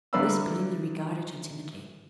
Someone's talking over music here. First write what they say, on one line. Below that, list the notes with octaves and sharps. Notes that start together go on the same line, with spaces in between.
Miss Belinda regarded her timidly.
C2 D3 B4 F5 B5 E6